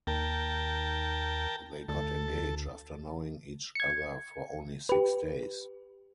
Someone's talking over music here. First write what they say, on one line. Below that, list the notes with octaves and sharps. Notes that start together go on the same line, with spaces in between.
They got engaged after knowing each other for only six days.
D#2 A#4 G5 A5
D2 A4
G#6 C#7
G4 B4